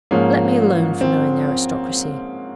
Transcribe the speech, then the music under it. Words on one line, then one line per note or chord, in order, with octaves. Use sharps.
Let me alone for knowing the aristocracy.
G#2 F3 A#3 C#4
C4